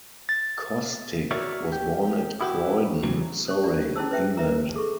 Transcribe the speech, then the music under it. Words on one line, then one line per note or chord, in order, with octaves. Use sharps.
Cosstick was born at Croydon, Surrey, England.
A6
F#4 A#4 C#5 D5 E5
G4
E4 F#4 G4
E2 C#3 E3 F#3
C5 C#6
D4 D5
C#4 E4 G#4 C5 A5 E6
B4 C5 E5 G5
B4 E5 A#5
G#4 A4 C#6